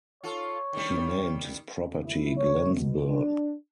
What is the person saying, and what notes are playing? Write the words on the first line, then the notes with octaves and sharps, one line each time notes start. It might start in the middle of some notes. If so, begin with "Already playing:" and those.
He named his property "Glennsburne".
F4 A4 C#5
D#3 G3
E4
C#5
B2
D4